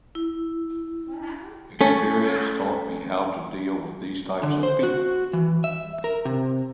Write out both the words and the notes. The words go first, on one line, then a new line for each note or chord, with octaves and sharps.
Experience taught me how to deal with these types of people.
E4
A3 C#4
D3
C5
F#4
E3
E5
A#4
C3